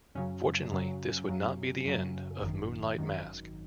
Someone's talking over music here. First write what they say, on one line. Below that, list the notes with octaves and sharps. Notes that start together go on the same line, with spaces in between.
Fortunately, this would not be the end of Moonlight Mask.
F#2 C#3 F#3 C#4
F#2 C#3 F#3
F#2 C#3 F#3
F#2 C#3 F#3
G#1 F#2 D#3
G#1 F#2 D#3